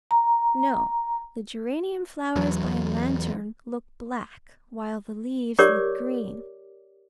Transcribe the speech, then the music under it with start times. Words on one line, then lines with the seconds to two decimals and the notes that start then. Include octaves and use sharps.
No; the geranium flowers by a lantern look black, while the leaves look green.
0.11 A#5
2.36 E2 F#3
5.59 G4 A#4 C#5 D5 D6